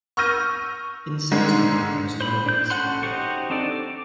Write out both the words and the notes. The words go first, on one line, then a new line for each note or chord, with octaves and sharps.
In September there was another race riot.
C#6 E6 F6 G6 A#6 D#7
G#2 D3 D#3 G#3
C5 B5
D4 G6
C#4 F#4 A4 F#5 C6
D#4 F#4 G4 C5 C#6
C4 D4 D#4 A4 D5
D6